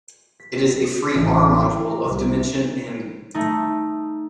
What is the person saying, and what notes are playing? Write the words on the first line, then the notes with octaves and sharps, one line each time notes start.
It is a free "R"-module of dimension "n".
B6
D#6
A1
D6
A#4
A#5
C2
A3 D#4